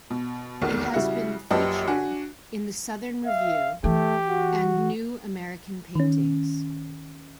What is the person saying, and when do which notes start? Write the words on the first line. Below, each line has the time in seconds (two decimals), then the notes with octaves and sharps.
It has been featured in "The Southern Review" and "New American Paintings".
0.10 B2
0.61 F1 B1 E2 D#3
0.94 C#3 G3 E4 F#4
1.51 A#1 F#2 G4 B4 D#5 A5
1.87 D4 F#4 G#5
3.25 E5 F5
3.84 E3 A3 G4
4.28 F#4
5.95 D#3 C#4